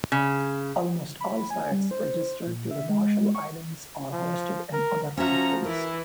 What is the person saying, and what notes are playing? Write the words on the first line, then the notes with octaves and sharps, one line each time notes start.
Almost all sites registered to the Marshall Islands are hosted in other countries.
C#3
B5
G#5
G3
C5
A#2
E5
G#3
C#6
F3
A#4
F3 C#4 F#4 E5 A#5
E3 E4 A#4